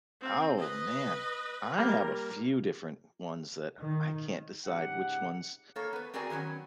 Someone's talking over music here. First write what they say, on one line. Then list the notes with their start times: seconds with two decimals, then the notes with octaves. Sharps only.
Oh man, I have a few different ones that I can't decide which one's
0.21 C4
0.58 B4 D#5
1.78 G3 A#3 A#4
3.80 D#3
4.65 G#2 C#3 G4 F#5
5.76 A#3 A4 C#5
5.93 B3 B4
6.14 C4 F#4 G#4 A#4 D5 G#5
6.30 D#3 F#3 B3 C#4 F#4